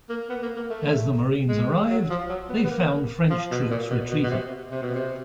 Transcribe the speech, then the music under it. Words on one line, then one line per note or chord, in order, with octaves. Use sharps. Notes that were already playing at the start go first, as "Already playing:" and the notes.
As the Marines arrived, they found French troops retreating.
A#3
B3
A#3
A#3
A3
G#3
F#3
F3
F#3
B3
B3
A#3
F3
B2
A#2
B2
B2
B2
C3
C3
B2
C3